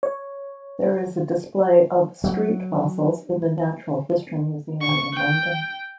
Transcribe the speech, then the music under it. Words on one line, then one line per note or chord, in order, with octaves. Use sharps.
There is a display of Street fossils in the Natural History Museum in London.
C#5
F#3
C#6
G5